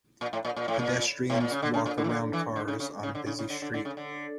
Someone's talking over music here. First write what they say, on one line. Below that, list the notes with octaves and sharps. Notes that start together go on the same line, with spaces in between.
Pedestrians walk around cars on a busy street.
A#2
A2
A#2
A#2
A2
A#2
A2
A#2
C#3
D3
C#3
A#2
D3
E3
D3
E3
D3
C#3
C#3
C#3
D3
C#3
C#3
D3
D3
D3
C#3
D3